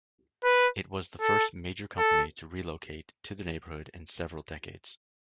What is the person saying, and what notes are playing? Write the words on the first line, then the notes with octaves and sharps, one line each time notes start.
It was the first major company to relocate to the neighborhood in several decades.
B4
A4
A4